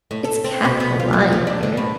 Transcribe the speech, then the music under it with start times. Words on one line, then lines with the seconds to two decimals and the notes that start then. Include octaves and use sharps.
"It's capital lying here."
0.11 A2
0.24 A4
0.44 C4
0.65 B2
0.80 B3
1.00 F4
1.13 A#2
1.32 F3
1.47 D4
1.63 D3
1.77 A2